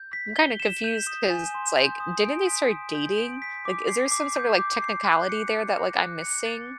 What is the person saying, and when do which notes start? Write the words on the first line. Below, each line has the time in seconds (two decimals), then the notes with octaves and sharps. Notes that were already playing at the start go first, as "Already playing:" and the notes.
I'm kinda confused 'cause, like, didn't they start dating? Like, is there some sort of, like, technicality there that, like, I'm missing?
Already playing: G6
0.13 B6
0.36 G7
0.60 E7
0.84 G6
1.07 D#6
1.30 G#5
1.54 C6
1.77 G6
2.00 D#6
2.25 D7
2.47 B6
2.71 D#6
2.95 G6
3.18 D7
3.42 B6
3.65 D6
3.88 C7
4.11 D6
4.36 G6
4.59 D6
4.82 C7
5.05 F#6
5.29 C#7
5.52 F#6
5.76 A#6
5.99 F#6
6.22 C#7
6.45 A6